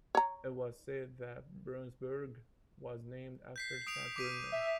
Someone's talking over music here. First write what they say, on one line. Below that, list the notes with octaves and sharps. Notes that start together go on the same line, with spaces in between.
It was said that Braunsberg was named after Saint Bruno.
C#5 A#5
G6 B6 C7
D#6 D7 F7
D6 B6 D#7
E5